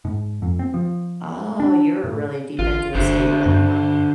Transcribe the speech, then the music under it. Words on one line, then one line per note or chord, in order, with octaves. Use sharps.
Oh, you're really deep into the state then, huh?
G#2
F2
C4
F3
D4
A2
A1 F4
G1 D3 C5
G2